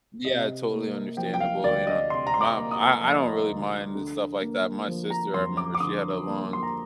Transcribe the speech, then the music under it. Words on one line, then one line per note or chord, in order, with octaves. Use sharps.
Yeah, totally understandable, you know my I I don't really mind stuff like that. My sister, I remember, she had a long
C3 D#5
A#3
F3 G5
G5
F5
D2 D5
D#5
C3 C6
A#5
C6
D6
A#3
D#6
F3
D2
D3
A#3
F3
A#5
F2 C6
D6
D6
D3 D#6
A#3
C6
A#5